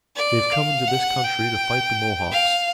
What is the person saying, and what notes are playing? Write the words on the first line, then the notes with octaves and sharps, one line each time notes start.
They have come into this country to fight the Mohawks.
D5
F5
F#5
G5
F5